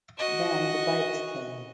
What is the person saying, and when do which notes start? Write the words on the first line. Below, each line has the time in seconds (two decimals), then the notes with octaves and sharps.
Then the bikes came.
0.18 F#4 D#5